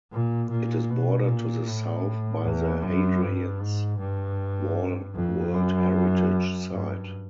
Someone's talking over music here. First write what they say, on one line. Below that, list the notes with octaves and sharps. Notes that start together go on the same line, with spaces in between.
It is bordered to the south by the Hadrian’s Wall World Heritage Site.
A#2
A#2
B2
A#2
A2
E2
F#2
G2
G#2
G2
F2
F#2
G2